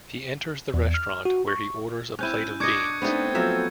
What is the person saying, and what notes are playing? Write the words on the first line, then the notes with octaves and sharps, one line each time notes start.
He enters the restaurant, where he orders a plate of beans.
E2
F6
F#4
C#6
C4 C#4 E4 F#6 G6 D#7
D4 D#5 C#6 D6 G#6 C#7
A3 B3 C4 D4 D#4
F3 F#3 B3 A4 E5